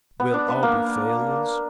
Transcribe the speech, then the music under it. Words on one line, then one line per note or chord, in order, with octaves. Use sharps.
"We'll all be failures?"
B3
D4
B3
A#3